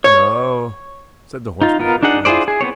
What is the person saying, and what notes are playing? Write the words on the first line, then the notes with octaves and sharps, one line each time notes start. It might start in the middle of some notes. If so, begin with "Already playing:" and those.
"No," said the horse-breaker, at last.
C#5
D#4 F4
B3 F4 A#4
D4 D#4 G#4 F#5
E4 F4 G#4 C5 D5
G#4
B3 C4 C#5